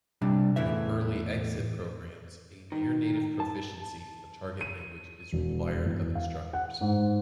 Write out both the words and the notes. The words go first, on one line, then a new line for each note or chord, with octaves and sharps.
In early-exit programs, a near-native proficiency in the target language is required of instructors.
C3 G3 D4
E2 A2 E3 E5
D#3
A5
D#7
E1
E2
F5
F#5
G#2